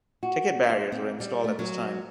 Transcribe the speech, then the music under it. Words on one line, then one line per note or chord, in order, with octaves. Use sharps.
Ticket barriers were installed at this time.
F#4
C5
C4
G3
A3
F#3